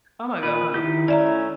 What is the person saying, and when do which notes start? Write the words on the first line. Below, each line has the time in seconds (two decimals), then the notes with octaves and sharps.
Oh my god.
0.43 A#2 B4
0.74 D#3 E4 G4 G6
1.08 A3 C#4 D5 E5 A#5